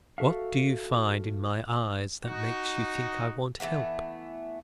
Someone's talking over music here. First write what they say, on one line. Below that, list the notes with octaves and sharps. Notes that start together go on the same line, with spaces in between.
"What do you find in my eyes that makes you think I want help?"
F#4 A4 E5 F5
D#4 F#4
E3 G#3 A3 B3